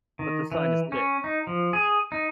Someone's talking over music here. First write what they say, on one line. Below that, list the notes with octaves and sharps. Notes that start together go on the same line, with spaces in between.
But the sign is lit?
D#3
E3
C#4
D#4
F3
G#4
D#4